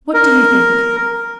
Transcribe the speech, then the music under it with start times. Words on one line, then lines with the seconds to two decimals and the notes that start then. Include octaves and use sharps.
What do you think?
0.14 A#4